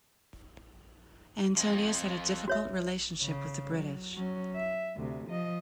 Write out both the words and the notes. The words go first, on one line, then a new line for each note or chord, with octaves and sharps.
Antonius had a difficult relationship with the British.
F3 C4 D#5
F#4 C#5 E5
C#3
F#3
F#3 C#4
E5
D2 C3
F3 D#5